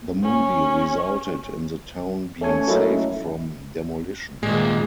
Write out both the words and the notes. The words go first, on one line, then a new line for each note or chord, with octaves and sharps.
The movie resulted in the town being saved from demolition.
C#4
A3 C#4 A4 G#5 C#6
F#3 A3 A#3 C#4 D#4 E4
D#2 A#2 G#3